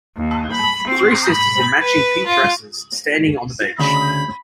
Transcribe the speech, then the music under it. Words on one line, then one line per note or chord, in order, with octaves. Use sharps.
Three sisters in matching pink dresses standing on the beach.
D#2
B5
C4
B5
B4
F4
D2 C#3 B5